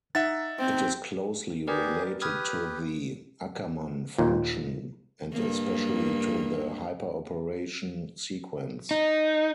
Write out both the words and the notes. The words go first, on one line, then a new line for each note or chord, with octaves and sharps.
It is closely related to the Ackermann function and especially to the hyperoperation sequence.
D#4 E5 F#5 A6
C4
G4 G#4 A#4 B4 D5
G4 B4 D#6 F6 G#6
D#2 A#2
G2 A#3
D#4